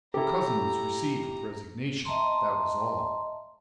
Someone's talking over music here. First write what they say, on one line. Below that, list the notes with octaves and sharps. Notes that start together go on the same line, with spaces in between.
The cousin was received with resignation, that was all.
E4 G4 A4 A#5
D#5 E5 A5 A#5 C6